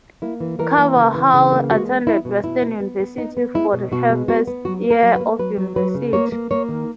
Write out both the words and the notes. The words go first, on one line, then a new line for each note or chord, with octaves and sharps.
Carvalhal attended Western University for her first year of University.
A#3 E4
E3
E3 A#4
A#3
C#3
E3
C#3
A#3
G#3 F#4
B3
B3 E4
B2
B2 E4
B3
B3
B3
B3 D#4
B3
G#3 E4
B2
B2 F#4
G#3
B3 F#4
B3
F#3 F#4
A#3
A#4
F#3
B4
A#3
F#3 B4
F#3
F#3 B4
C#3
A#3 C#5
A#3
A#3 C#5
D#3